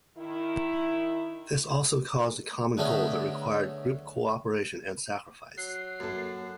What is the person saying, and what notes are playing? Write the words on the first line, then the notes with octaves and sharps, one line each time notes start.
This also caused a common goal that required group cooperation and sacrifice.
D#3 E4
D3 G#3 A3 B3 C#4
F#3 C7
F#2 A#3 A4